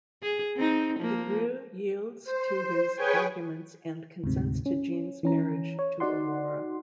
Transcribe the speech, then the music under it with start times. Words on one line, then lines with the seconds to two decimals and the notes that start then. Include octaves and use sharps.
Des Grieux yields to his arguments and consents to Jean's marriage to Aurore.
0.22 G#4
0.56 C4 D#4
0.99 F3 A#3
2.24 C5
2.95 G#4 B4 C#5 G5 G#5
4.24 D2 G#2 C3
4.66 C#4
5.23 E3 C#4 A#5
5.79 C#5
6.00 D#4 F#4 D5 F#5 C6